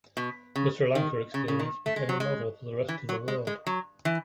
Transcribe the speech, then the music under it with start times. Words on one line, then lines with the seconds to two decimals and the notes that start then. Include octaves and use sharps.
The Sri Lanka experience became a model for the rest of the world.
0.17 B2
0.56 C#3
0.95 D#3
1.34 C#3
1.48 C#3
1.59 D#3
1.86 A3
1.96 G#3
2.09 F#3
2.20 G#3
2.88 E3
3.09 F#3
3.28 G#3
3.47 G#3
3.67 F#3
4.05 E3